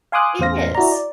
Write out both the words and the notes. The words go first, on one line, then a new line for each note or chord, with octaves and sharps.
It is.
F5 G#5 C6 D6 D#6 F#6
E2 A2 C#3 C5 F5 A#6
E4 F#4 D5 A#5
D5